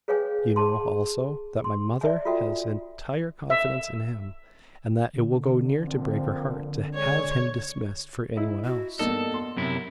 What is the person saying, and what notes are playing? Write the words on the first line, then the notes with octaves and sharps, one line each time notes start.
You know, also, that my mother has entire confidence in him, and that it will go near to break her heart to have him dismissed for any one else.
G#4 B4 C#5 F5 G5 G#5
G#4 A5 C6
C6
D5 E5 G#5
F4 F#4 A4 E5 G5
E5
D3
F3 A#3 C4
G#3 G#4 C#5 D5
D#4 E4
F#4
G2 A#3 B3 D#4 A4
C6
F#2 C3 E4